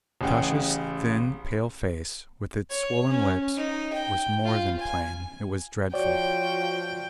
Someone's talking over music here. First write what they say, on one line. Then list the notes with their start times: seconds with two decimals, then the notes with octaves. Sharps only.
Natasha's thin pale face, with its swollen lips, was more than plain--it was dreadful.
0.21 A1 C#3 G#4 F#5 G5
2.70 C#5
3.09 C#4
3.57 D#4
3.93 G5
4.44 F4
4.79 G#5
5.94 F3 F#4 C#5 D5 G5